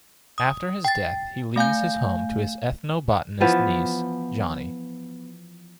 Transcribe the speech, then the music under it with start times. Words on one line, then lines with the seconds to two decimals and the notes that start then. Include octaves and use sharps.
After his death, he leaves his home to his ethnobotanist niece, Jonni.
0.38 D#6
0.85 G5 A6
1.56 A3 F5 G#5 G6
3.40 E3 F3 B3